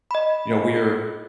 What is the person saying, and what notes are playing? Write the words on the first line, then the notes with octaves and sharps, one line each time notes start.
you know, we're
D#5 B5